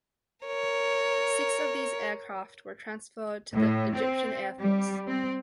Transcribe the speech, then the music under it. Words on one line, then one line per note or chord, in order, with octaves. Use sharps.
Six of these aircraft were transferred to the Egyptian Air Force.
A#4 C#5
A2
C4
G3
C4